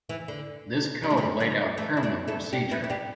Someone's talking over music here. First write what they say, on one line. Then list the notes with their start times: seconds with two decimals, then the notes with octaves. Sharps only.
This code laid out criminal procedure.
0.09 E3
0.28 D3
1.03 G3
1.10 A3
1.17 D3 G3
1.40 D3 G3
1.78 E3 A3
1.97 E4
2.03 A3 D4
2.28 E4 A4
2.52 D4 G4
2.71 B3 E4
2.84 E4
2.90 D4 G4